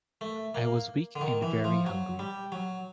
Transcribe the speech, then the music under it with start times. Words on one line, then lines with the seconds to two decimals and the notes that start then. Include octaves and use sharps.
I was weak and very hungry.
0.21 A3
0.55 A#3
1.16 D3
1.21 D#3
1.42 E3
1.64 F3
1.87 F#3
2.19 G3
2.52 F#3